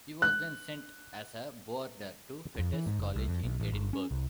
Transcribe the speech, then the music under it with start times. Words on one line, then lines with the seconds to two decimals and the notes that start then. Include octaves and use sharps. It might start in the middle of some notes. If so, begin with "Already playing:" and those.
He was then sent as a boarder to Fettes College in Edinburgh.
0.22 F#6
2.59 F2
2.73 E3
2.86 G#2
2.99 F#1
3.16 C2
3.28 F2
3.44 B1
3.60 A1
3.72 G1
3.93 C#4
4.11 C2